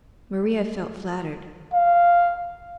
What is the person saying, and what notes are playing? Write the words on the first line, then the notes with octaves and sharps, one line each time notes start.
Maria felt flattered.
F5